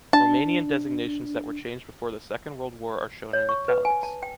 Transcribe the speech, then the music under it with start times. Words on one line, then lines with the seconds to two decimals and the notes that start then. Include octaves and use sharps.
Romanian designations that were changed before the Second World War are shown in "italics."
0.13 D4 A5
3.33 C#5
3.49 C#6
3.68 B4
3.85 G#5
4.03 A5
4.23 G5